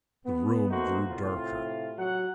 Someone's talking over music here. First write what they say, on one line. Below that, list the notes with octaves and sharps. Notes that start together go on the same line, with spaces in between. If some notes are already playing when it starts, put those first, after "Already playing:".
The room grew darker.
B3
A3 A#3 D#4 F#4 C5
A2 C3 F4
F#3 F#5